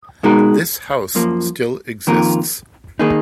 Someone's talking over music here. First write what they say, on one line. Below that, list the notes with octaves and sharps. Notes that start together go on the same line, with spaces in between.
This house still exists.
B2 G#3 D#4 F#4 A#4
F#2 F3 A#3
F2 D#3 A#3 F4 A#4
D#3 A#3 D#4 G#4